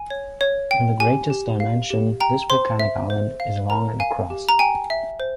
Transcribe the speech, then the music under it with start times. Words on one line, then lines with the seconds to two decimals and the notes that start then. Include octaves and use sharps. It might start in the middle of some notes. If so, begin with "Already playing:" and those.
In the greatest dimension, this volcanic island is long and across.
Already playing: G#5
0.10 C#5
0.41 C#5
0.71 G5
1.00 G4 G#5
1.30 G4
1.60 F5
1.90 G4
2.20 G5 A#5
2.50 C5 C6
2.79 E5
3.10 C5
3.40 F5
3.70 A#4 A#5
4.00 F5 G#5
4.30 G4
4.49 A#5
4.59 G5 G#5
4.90 E5
5.20 C5